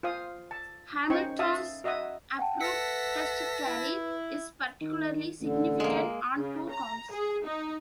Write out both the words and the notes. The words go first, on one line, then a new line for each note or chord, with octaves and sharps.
Hamilton's abrupt test career is particularly significant on two counts.
F4 C5 F5 D#6
A5
C#4 D#4 C5 G5 C#6
E5 F5 A5 D#6
F#4 D#5 E5 F#5 D#6
F#5 G5 A5
A4 B4 E5 F#5 A5 A#6 B6 C#7
E4
D#3
A1 D3
G#3 A#3
C#3
A#5
G#4
D#4